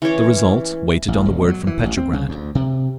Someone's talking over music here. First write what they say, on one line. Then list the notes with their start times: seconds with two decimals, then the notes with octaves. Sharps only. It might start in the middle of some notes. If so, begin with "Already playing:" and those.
The result waited on the word from Petrograd....
0.02 E3 C#4 C#5 D6
1.08 A1
1.25 E1
1.48 F#3
1.67 E3
1.83 A1
1.97 C4
2.13 C#3
2.29 D2
2.55 C3